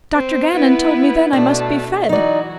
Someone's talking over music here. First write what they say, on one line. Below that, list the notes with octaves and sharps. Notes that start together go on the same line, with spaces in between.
Dr. Gannon told me then I must be fed.
C4
B3 E4 B4
B2 A3 D4
E3 F#3 D#4 F#4 D5